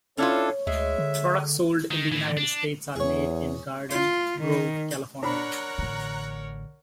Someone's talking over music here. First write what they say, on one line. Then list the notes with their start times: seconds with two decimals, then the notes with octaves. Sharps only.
Products sold in the United States are made in Garden Grove, California.
0.18 C#4 D4 E4 F4 A4 C#5
0.67 D2 G#3 E5
0.98 D3
1.91 D#3
2.12 A2 E3
2.37 D4
2.96 E2 G#4 C#5
3.91 F4
4.40 D#3
5.23 D4 A#4 C#5 F#5 A#5 B5 F#6
5.78 A1 D3